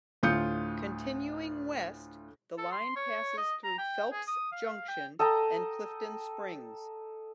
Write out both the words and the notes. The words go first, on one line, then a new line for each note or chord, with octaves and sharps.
Continuing west, the line passes through Phelps Junction and Clifton Springs.
D2 A2 F4 D#6 G6 C#7
A4
C6
C#5
D#5
A#5
G5
G#4
D#6
F5
G5
A4 D#5 G5 A#5